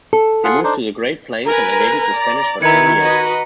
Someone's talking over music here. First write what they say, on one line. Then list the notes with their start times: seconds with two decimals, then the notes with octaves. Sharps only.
They moved to the Great Plains and evaded the Spanish for ten years.
0.13 A4
0.44 F4 G#4 F#5
0.64 D4 D#4 C5
1.46 A#4 B4 G#5 A#5
2.14 D5
2.62 D#3 E4 B4 A#5 G#6 C#7
2.98 F#4 B4 D#5